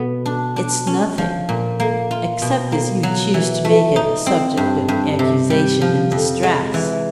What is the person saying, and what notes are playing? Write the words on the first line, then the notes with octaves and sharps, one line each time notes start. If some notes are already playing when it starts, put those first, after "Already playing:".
It's nothing--except as you choose to make it a subject of accusation and distress.'
Already playing: B2 B3
D4
D4
C#4
F3
A#2
A#3
F4
B2
A#3
F#3
E3
A3
D#4
C4
G2
G2
C3
G3
F3
F2
G#3
E3